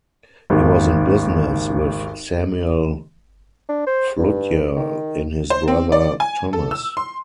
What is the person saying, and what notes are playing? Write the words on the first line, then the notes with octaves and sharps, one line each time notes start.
He was in business with Samuel Fludyer and his brother Thomas.
G#1 D#2
D4
C5
G2
D#3
C5
C4
D5
G#5
A4
E6
C6